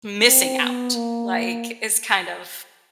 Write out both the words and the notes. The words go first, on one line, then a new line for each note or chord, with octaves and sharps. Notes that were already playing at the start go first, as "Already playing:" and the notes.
missing out, like, it's kind of
C4
B3
A#3